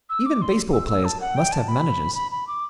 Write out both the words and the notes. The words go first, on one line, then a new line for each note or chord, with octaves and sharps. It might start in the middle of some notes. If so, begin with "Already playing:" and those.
Even baseball players must have managers.
E6
D6
C6
E6
E6
A5
F#5
G5
A5
B5
B5
B5
D6